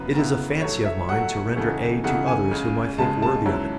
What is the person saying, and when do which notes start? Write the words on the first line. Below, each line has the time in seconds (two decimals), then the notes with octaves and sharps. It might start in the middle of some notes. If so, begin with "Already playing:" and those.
It is a fancy of mine to render aid to others whom I think worthy of it.
Already playing: F#2 C#3 F#3 B3 E4 B4
0.14 F#2 C#3 F#3 B3 E4
0.61 A2 F#3 A3 C#5
0.85 E5
1.09 A2 F#3 A3 F#5
1.56 C#3 E3 A3 D#4
2.04 C#3 E3 A3 D#4 F#5
2.27 G#5
2.51 C#2 C#3 G#3
2.98 C#2 C#3 G#3 A5
3.22 A5
3.46 G#2 F#3 C#4 E4